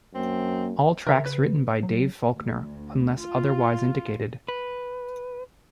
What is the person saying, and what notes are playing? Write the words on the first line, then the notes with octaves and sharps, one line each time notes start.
All tracks written by Dave Faulkner unless otherwise indicated.
F#2 A#3 C4
C#3 A#4 E5 A#5
B4
F#3
D2
F4
B4